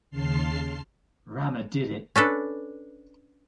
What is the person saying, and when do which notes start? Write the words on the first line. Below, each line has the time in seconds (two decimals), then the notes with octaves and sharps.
Rama did it.
0.10 D#2 C#3 A5 C6 F6 C7
2.16 C#4 D4 A4 B4